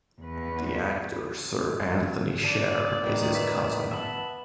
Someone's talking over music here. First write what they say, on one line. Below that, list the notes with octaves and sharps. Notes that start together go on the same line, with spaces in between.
The actor Sir Antony Sher is his cousin.
E2 B4
D5
F#2 A2 D#3 E3
B4 E5
B3 E5 A5 B5